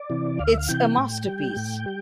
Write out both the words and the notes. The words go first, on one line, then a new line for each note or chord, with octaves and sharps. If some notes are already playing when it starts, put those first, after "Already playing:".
It's a masterpiece.
Already playing: D5
C3 E3
D2 F5
E5
F5
C3 E3 G5
A2
G3
A2
G3